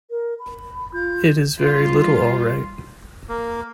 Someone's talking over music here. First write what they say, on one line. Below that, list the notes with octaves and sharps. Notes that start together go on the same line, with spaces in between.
It is very little all right.
A#4
B5
F4 G6
G3 F4
A#3